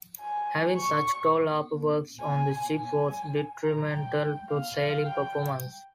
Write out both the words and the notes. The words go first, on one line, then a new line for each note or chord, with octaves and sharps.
Having such tall upper works on the ship was detrimental to sailing performance.
G#5
C#6
G#5
G#5
A#5
G5
F5
F5
G5